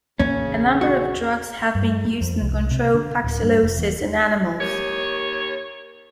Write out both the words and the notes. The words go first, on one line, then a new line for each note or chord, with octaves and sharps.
A number of drugs have been used in control fasciolosis in animals.
A#1 E2 C#3 A#3 C#4
F#4
G2
A#3
F2
C2
C3
D3
D1
G2
F1
E2
D#2 C#5